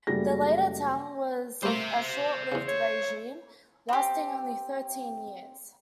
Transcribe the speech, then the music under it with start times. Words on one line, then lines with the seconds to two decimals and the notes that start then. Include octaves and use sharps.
The Later Tang was a short-lived regime, lasting only thirteen years.
0.07 F#1 G3 A3 F#4 G#4 A#6
1.63 G3 A3 A#3 C5 E5
2.52 E2 C#3
2.68 C#5
3.89 C4 G4